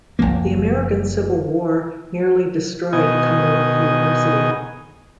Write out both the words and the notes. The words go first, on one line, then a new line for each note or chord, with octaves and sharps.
The American Civil War nearly destroyed Cumberland University.
F#1 D#2 F3 A#3
B2 D#3 D#5 G#5